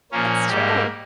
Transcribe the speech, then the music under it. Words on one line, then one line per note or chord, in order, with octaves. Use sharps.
It's true.
A#2 F3 A#3 C#4
G#2 G3 A#3 G4